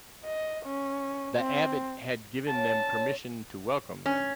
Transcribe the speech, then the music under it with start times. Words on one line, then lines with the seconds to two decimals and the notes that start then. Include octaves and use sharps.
The Abbot had given them permission to welcome them.
0.24 D#5
0.65 C#4
1.37 C4
2.48 B3 C#4 F4 A5
2.69 D4 E4
2.88 C4 C#5 A#5
4.06 C#4